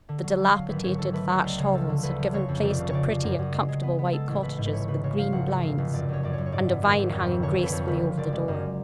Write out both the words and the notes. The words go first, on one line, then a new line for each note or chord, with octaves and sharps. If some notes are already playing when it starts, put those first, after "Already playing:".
The dilapidated, thatched hovels had given place to pretty and comfortable white cottages with green blinds, and a vine hanging gracefully over the door.
D3
F#3
F#3
F#3 F5
G#1 B4
G#1 C#5
G#1 A4
A3 B4
A3 C#5
C#2 D5
C#3 C#5
F3 A4
D3
D2 B4
F3
C#3 C#5
F2
F1 D5
C#3
C#3 C#5 D5
C#3
F#2
F#2
G#3
G#3
B3
B3
G#3 A4
A1
A1 B4
G#2
B4
F1 C#5
C#3 B4
C#3 C#5
F3 F5
F1 F#5
F1
F1 F5
F1
F#2 D5
F#2 C#5
F#2 D5
C#5
F#2
C#5
G#2 D5
B3
G#1
G#1
F2 C#5
F1
D3 C#5
F2 B4
F2 C#5
F#1 B4
F3
F#1 D5
G#3
F#2